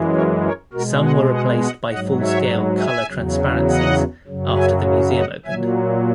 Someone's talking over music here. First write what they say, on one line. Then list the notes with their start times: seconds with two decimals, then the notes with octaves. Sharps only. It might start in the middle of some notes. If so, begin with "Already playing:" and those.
Some were replaced by full-scale color transparencies after the museum opened.
Already playing: F#2 E3 G#3
0.13 A#4 C#5
0.43 A#4 C#5
0.73 B2 G#3 F#4 A#4
1.02 D#5 F#5
1.31 D#5 F#5
1.62 D#5 F#5
1.91 G#2 F#3 D#5 F#5
2.20 C#5 E5
2.79 E5 G#5
3.09 E2 C#3 F#3
3.68 D#5 F#5
4.27 F#2 C#3 F#3
4.57 E5 G#5
5.16 D#5 F#5
5.45 A#2 F#3 E5 G#5